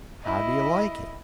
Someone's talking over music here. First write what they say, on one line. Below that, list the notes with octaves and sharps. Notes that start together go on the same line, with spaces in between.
How do you like it?
E4 D#5